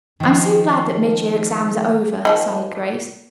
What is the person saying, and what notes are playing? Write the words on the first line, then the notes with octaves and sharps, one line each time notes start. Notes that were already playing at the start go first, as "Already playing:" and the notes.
"I'm so glad that mid-year exams are over," sighed Grace.
D#3 F3
D#3 F3 A5